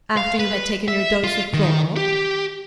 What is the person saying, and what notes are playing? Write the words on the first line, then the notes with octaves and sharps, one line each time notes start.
"After you had taken your dose of chloral?"
F5
B4
E5
F4
D#3
G4